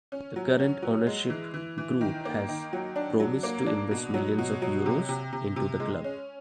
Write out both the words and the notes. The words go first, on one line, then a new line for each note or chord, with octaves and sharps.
The current ownership group has "promised to invest millions of euros" into the club.
C#4
F#3
C#4
F#3
G#3
E3
E3
E3
D#3
A#3
D#3
F#3
D4
F#3
A#3
D4
B2
F#3
B2
F#3
C3
C3
C3
C3
G#3
C#4